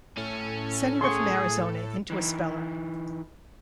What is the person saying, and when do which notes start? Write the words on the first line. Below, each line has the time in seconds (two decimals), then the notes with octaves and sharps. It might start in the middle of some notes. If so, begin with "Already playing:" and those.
Senator from Arizona into a speller.
0.17 A2 C#4 A4
1.01 G#4 C6 C#6
2.10 E3 D#4